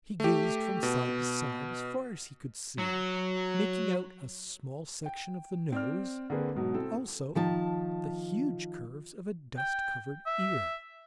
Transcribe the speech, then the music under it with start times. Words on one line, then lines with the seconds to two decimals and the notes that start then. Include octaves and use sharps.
He gazed from side to side as far as he could see, making out a small section of the nose, also the huge curves of a dust-covered ear.
0.20 A3 G4
0.83 B2
2.78 F#3
5.06 G5
5.72 C4 D5 F6
6.30 D3 A#3 C4 G#4 B4
6.55 G#2 B2 F#3
6.74 C4 E4 A4
7.35 D#3 F3 A5
9.58 G5
10.26 E5